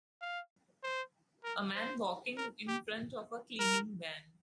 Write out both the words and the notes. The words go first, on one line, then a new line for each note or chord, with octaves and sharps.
A man walking in front of a cleaning van.
F5
C5
A#4
C5
A#4
G4
A#4